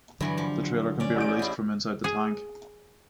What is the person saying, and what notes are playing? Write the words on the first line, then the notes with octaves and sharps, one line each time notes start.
The trailer can be released from inside the tank.
G2 D3 E3 F#3
F3
C#4 D5
A1 G6 D7
E4 G#4
G#4